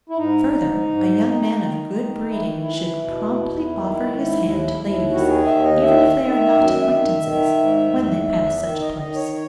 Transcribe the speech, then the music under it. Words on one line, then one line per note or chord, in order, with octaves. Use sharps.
Further,--a young man of good breeding should promptly offer his hand to ladies, even if they are not acquaintances, when they pass such a place.
E4
G#2 D#4
G#2
G#2
D#3
D#3
D#3
E3 E4
E3
B2
E2
D#3
G#2
D#2
D#2
D#3 F#4
G#4
D#2 E5
D#5
D#3 E5
D#3
F#2
D#3
D#3
G#2
E2
E2
D#3
D#5
D#3 D#5
C#5
C#5